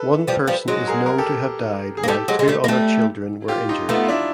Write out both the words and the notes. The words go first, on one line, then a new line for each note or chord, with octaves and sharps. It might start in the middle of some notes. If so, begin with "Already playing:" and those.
One person is known to have died while two other children were injured.
Already playing: A4 B4
F3 G3
F3 G3
F#3 G#3
G#4 A#4
A#4
G4 A4
G#4
A#3
G3 A3 G4 A4
F#3 G#3
G#3
G3 A3
A#3
G3 A3
F4 G4
D#4 F4
A3 B3 D#4 F4
F4
D4 E4